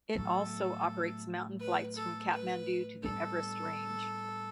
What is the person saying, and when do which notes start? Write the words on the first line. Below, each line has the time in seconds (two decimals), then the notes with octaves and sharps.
It also operates mountain flights from Kathmandu to the Everest range.
0.15 A2 F#3 B3 A4
1.60 B4
1.95 A4
2.32 B4
3.03 A2 G3 B3 D4 A4